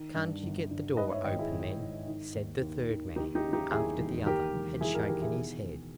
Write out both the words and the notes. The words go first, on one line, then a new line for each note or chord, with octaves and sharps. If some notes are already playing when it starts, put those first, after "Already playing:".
"Can't you get the door open, then?" said the third man, after the other had shaken his head.
Already playing: D#3
G2
G1
G2
G#2 B4 D#5
C#5 E5
G#1 D#5 G5
E4 G#4
G#1
G#2
D#3
D#2
D#2
D#3
D#2 D#4 G4
D#4 G4
C#3
D#4 G4
D#2 E4 G#4
E1
D#2 G4 A#4
E1
E1 E4 G#4
G4 A#4
D#3 G4 A#4
E4 G#4
B2
B2